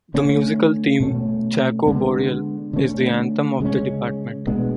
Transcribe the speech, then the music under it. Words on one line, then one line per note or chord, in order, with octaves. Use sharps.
The musical theme "Chaco Boreal" is the anthem of the department.
D3 A3 C#4
B2 A3 C#4
D3 G#3 B3
D3 A3 C#4
C#3 G#3 C#4
B2 G#3 B3 D4